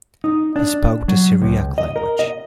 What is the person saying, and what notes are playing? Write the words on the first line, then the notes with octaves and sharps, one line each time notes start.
He spoke the Syriac language.
D#4
D4
F#3
C#2
D#5
A#4
D#5